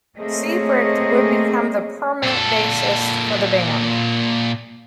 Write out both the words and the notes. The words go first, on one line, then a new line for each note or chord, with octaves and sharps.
Siebricht would become the permanent bassist for the band.
A3 A#3 C4 G#4 C#5 D#5
A#2 A4